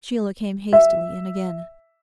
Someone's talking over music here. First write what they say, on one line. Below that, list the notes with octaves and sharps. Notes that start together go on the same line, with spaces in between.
Sheila came hastily in again.
E5